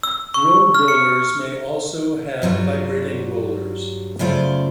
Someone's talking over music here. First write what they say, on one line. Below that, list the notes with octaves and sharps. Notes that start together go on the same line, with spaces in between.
Road rollers may also have vibrating rollers.
E6
C#6
F6
C#7
G2 F#3 G3 F4
F#2 C#3 A3 F4 C5 D5